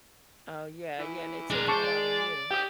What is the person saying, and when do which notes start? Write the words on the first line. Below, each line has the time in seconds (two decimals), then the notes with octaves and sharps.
Oh yeah, yeah, and they taking it out on you.
0.99 E3
1.50 G#3 D4 A#4
1.68 C5 A5 C#6 D6
1.84 D5
2.51 G4 G5 D#6